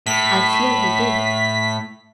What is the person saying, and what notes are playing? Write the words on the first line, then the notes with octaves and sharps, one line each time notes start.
I fear he did.
A2 B6